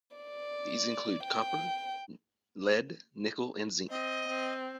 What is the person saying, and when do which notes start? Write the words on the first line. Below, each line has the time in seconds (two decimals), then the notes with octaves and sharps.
These include copper, lead, nickel and zinc.
0.17 D5
1.24 G5
3.89 C4 D#5
4.28 C4